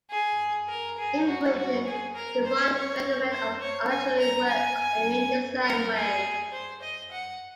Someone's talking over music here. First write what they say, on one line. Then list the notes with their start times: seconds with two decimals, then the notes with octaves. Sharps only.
In Britain, the Royal Regiment of Artillery works in the same way.
0.11 G#4
0.69 A#4
0.98 G#4
1.27 F#4
1.57 F#4
1.86 G#4
2.14 A#4
2.45 C5
2.74 C#5
3.32 C5
3.61 C#5
3.90 G#5
4.19 A#5
4.48 G#5
5.65 A#4
5.95 G#4
6.52 C5
6.82 D#5
7.11 F#5